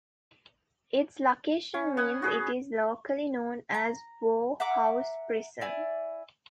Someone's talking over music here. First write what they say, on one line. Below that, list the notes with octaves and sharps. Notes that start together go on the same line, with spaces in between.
Its location means it is locally known as "Bowhouse Prison".
C#4
B3 F#5 G#5
F#4 G#4 B4
A#5
E5 F#5 A#5 D6
E4 D5 G#5